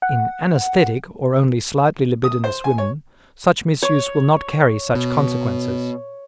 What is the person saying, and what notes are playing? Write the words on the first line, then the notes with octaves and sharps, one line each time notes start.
In anaesthetic or only slightly libidinous women, such misuse will not carry such consequences.
F#5
D#6
C5
G#5
C#5
C#5
B2